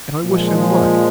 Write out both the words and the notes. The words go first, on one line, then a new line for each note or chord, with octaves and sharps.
And I wish him luck.
A#2 F3 G#3